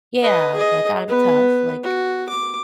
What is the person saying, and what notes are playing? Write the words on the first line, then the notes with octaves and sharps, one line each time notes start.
yeah, like, "I'm tough," Like,
B4 D#5
G#4 D#5
B3 B4
F#4
D6